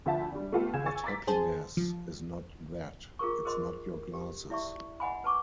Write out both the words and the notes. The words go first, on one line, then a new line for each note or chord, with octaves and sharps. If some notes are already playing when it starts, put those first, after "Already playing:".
But happiness is not that, it's not your glasses.
D2 F3 E5 A5
G3 D4
A3 B3 F4 G4 A4
C#2 G#5 G#6 E7
G#5 C#6 E6 A6
A#5 D6 A6 B6
G#4 C5 A5
F3
F4 G#4 A#4 C#6
G#4 A#4 C5 D#5 C6
G4
E4 D5 E5 C#6
D#5 F#5 G#5 B5
B4 A5 C#6 D6